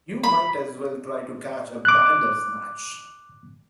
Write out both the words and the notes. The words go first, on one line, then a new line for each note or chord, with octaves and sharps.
You might as well try to catch a Bandersnatch!
B5
D6 F#6